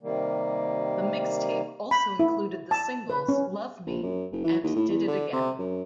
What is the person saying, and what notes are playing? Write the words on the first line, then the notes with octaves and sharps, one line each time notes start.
The mixtape also included the singles "Love Me" and "Did It Again".
C3 D#3 G3 A#3
B5
E4
A5
B4
C#4
A#1
F#2
F#1
E3
D#2
A2
E2
D3
C3
F#2